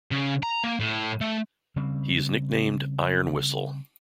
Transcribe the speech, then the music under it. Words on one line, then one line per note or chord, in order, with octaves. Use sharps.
He is nicknamed "Iron Whistle".
C#3
A#5
A#3
A2
A3
C#3 G3 C4